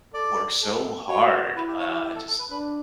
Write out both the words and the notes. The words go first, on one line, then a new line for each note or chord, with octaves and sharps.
work so hard, uh, and just
A4 D5
A4
F#4 C#5
E4 B4
G4
C#5
F#4
G4
G4
A4
A4
B4
D4 B4